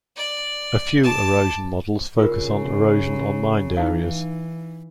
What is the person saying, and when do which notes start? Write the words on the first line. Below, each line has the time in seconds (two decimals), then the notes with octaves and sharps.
A few erosion models focus on erosion on mined areas.
0.16 D5
1.03 A5 D6
2.18 C#3 F4 A#4
3.77 E3 D#4 E4 F5